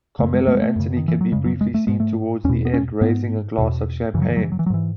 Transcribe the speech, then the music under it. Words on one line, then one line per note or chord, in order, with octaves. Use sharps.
Carmelo Anthony can be briefly seen towards the end, raising a glass of champagne.
F#2 C#3 A3
G#3
A3
G#3
A3
F#2 C#3
D#3
E3
F#3
F#2 C#3 G#3
F#3
G#3
A3
G#2 G#3
A3
E2 C#4
B2
B3
C#4
G#2 B3
E2 B2
F#2 C#3 E3 F#3
E3
F#3
E3
F#3
E3
F#3
G#2 E3